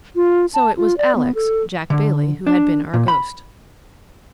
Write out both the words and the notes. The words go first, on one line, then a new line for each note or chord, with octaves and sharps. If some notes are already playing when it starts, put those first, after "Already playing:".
So it was Alex, Jack Bailey, who had been our ghost.
F4
A5
F4
D5
B3
A4
D3
D4
A#2
B5